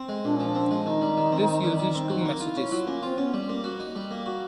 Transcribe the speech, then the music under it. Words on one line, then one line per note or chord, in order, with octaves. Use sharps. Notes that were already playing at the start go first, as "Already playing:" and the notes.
This uses two messages.
Already playing: C4
G#3
A#2 D4
F3 C#4
D4
C4
G#3
D#3 D#4
G3
D#3
C4
D#3
G3
D#3
C4
F#3 D#4
A#3
E4 F4
C#4
F#3 F4
A#3 C#4
C4 F4
B3 C#4
G3
A#3
F#4
D#4
G3
A#3
F#4